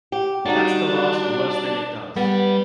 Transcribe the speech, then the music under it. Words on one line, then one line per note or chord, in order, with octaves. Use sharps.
That's the last and worst thing it does.
G4
G3 D4 D#4 F#4
G3 B3